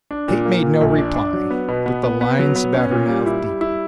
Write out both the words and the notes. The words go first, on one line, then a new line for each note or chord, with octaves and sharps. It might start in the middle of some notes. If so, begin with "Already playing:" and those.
Kate made no reply, but the lines about her mouth deepened.
D4
A#2
A#3
A#2
A#1
D4
D4
F#3
B3
B2
B3
B3
B3
F#3
B3
C#4
A#2
G3
E4
G3
E4